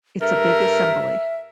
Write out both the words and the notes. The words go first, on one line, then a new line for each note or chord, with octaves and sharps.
It's a big assembly.
G2 A4 A#4 E5